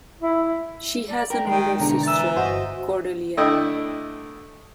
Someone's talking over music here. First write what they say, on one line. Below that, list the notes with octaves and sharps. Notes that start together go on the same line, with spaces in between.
She has an older sister, Cordelia.
E4
D5
A#4 G5
D#3 G#3 G5
E2 B2 D3 D4 A#5
E3 E6 A6
G1 F#4 C5 D#5
D3 A3 E4 D#5 E5 G5